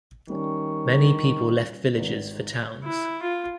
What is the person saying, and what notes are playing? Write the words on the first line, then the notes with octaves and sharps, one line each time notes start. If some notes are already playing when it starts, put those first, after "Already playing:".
Many people left villages for towns.
D#3 G3 C#4 C#6
G#1 D#3 B4
E4
F4